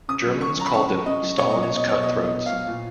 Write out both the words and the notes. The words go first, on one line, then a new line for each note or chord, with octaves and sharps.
Germans called them "Stalin's cutthroats".
C#3 D#6
F#3
C#3 C#6
F#3 A#5
B5
C#3 C#6
F#3
C#3 D#5
F#3
B2 C#5
F#3 D#5
C#5
B2
D#5
F#3 C#5
B2 D#5
F#3
D#5
B2
F5
F#3
A#2